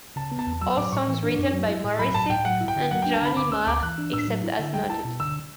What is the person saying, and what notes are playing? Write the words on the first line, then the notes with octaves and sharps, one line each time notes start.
All songs written by Morrissey and Johnny Marr except as noted.
C#3 A5
B3
A5
E2
F#3 E6
A2 D6
A2 C#6
E3
D4
F#2
F#3
E4
A2
F#3 B5
A2 A5
A2 G5
F#3 F#5
E4
G5
D3
F#3 F#5
G5
D4
A5
D3 B5
D3 D6
C#4 E6
D2 D6
E3 F#6
D4
A2 E6
F#3
E4
D3
G3 G5
E4 A5
B2
D3 E6